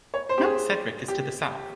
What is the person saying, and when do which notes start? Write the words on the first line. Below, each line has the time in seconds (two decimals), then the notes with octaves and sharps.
Mount Sedgwick is to the south.
0.14 C#5
0.29 C5
0.38 G4
0.45 G#4
1.08 G4